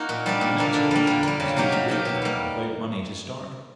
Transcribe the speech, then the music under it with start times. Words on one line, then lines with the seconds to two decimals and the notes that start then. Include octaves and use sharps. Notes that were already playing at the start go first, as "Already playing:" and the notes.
The next question was how to get there without money to start with?
Already playing: A#3 D#4 F#4
0.09 A#2
0.26 G3 A#3 D4
0.41 A#2
0.58 G3 A#3 D4
0.74 D3
0.91 G3 A#3
1.07 D3
1.23 G3 A#3
1.40 C#3
1.56 F#3 A#3 D#4 G4
1.72 C#3
1.88 F#3 A#3 D#4 G4
2.05 B2
2.22 G3 A#3